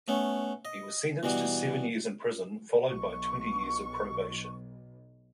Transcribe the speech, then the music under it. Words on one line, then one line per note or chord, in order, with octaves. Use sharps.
He was sentenced to seven years in prison followed by twenty years of probation.
A3 B3 C#4
D#5
B2 E3 G3 B3
B1 C#6